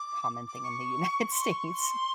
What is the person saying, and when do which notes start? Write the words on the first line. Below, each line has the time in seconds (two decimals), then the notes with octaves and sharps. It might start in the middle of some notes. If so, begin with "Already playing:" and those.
common thing in the United States.
Already playing: D6
0.48 D6
0.64 C#6
1.31 C6
1.42 C#6
1.73 C6